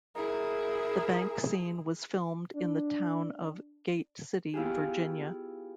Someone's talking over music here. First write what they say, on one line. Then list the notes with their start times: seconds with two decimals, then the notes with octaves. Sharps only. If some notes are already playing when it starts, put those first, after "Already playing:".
The bank scene was filmed in the town of Gate City, Virginia.
0.16 E4 G#4 A#4
2.55 D4
4.54 B3 E4 F4 G4 G#4